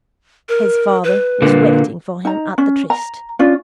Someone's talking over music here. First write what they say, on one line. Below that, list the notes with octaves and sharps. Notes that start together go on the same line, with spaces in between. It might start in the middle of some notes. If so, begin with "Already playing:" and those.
His father was waiting for him at the tryst.
A#4
B4
A#2 D3 A#3
D#4 A#5
C#4
A#5
C#4 D4 F4